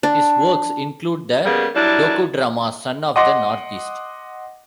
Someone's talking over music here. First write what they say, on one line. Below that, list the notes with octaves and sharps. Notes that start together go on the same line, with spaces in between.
His works include the docudrama "Son of the Northeast".
D4
C#3 G3 A#3 B3 G#4
F#3 G3 D4 E4
D#5 F#5 C6 D6 A#6